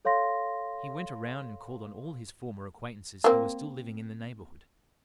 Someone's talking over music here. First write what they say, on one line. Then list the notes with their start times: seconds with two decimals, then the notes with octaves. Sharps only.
He went around and called on all his former acquaintances who were still living in the neighborhood.
0.05 A4 C#5 F5 C6 A#6
3.24 A#3 C4